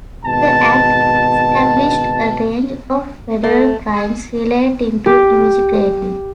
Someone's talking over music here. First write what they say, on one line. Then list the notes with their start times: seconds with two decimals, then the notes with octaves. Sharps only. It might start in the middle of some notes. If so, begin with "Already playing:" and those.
The Act established a range of federal crimes relating to immigration.
0.25 G#1 B2 A5
3.43 A3
5.06 G4